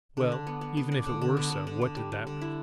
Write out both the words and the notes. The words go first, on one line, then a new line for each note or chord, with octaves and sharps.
Well, even if it were so, what did that prove!
D3
D4
B3
B3
B3
D4
D3
D3
B3
D3
D3
D3
G3
G3
D3
E4